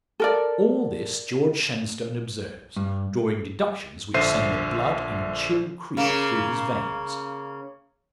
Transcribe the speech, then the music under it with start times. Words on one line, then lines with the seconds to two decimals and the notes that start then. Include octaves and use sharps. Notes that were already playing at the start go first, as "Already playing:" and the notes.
All this George Shenstone observes, drawing deductions which send the blood in chill creep through his veins.
0.20 A4 A#4 D5
2.76 G2
4.14 A#1 D3 C5 E5 C7 D#7
5.97 C#3 A#3